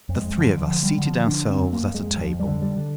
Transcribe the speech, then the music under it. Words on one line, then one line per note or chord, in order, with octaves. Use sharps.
The three of us seated ourselves at a table.
F2
G#3
D3 F3
F3
D3
G3
D3
F3
D3 D4
C4
F2
A#3
F2
G#3
F2 F3
G3
D3
G3
D3